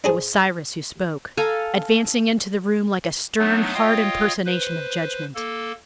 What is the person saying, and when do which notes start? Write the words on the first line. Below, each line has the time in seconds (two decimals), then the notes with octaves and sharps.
It was Cyrus who spoke, advancing into the room like a stern, hard impersonation of judgment.
0.04 D4 G#4 C5
1.37 A4 F5 G#5 A#5
3.39 F#3 A3 B3 D4 D#4
3.74 F4 C#5 D#5 F5 G5 D#6
4.45 B4 C5
5.35 A#3 A4